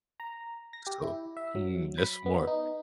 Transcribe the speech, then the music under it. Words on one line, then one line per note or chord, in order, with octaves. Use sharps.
So, mm, that's smart.
A#5
A#6
G4
E4
E5
F#3
B5
B3
D#4